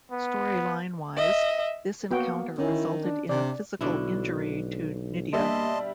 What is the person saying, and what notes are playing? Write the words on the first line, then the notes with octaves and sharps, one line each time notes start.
Storyline-wise, this encounter resulted in a physical 'injury' to Nidia.
B3
D#5 E5
A#3 B3 F#4 G5
D#3 C#4 E4
D4
C3 D4 D5
B1 B2 D3 E4
G3 A#3 D4 D#5 E5 A5 C6